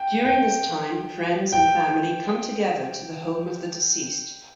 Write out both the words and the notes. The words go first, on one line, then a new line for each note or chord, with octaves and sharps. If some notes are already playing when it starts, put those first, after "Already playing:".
During this time, friends and family come together to the home of the deceased.
Already playing: G5
G5
G5